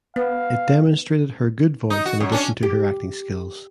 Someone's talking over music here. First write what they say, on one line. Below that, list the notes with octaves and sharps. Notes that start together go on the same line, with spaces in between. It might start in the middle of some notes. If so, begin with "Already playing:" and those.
It demonstrated her good voice in addition to her acting skills.
B3 F5
D#4
F#4
F#2
C#4 D4
G4